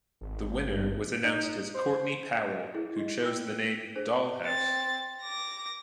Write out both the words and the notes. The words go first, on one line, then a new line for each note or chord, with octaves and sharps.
The winner was announced as Courtney Powell who chose the name "Dollhouse".
G#1
G2
D#4
C5
D#5
E4 G#4
F#4 G4 D#5
F4 A#4 D5 E5 G5 E6
D4 G#4 C5
C4 A6
D6 A#6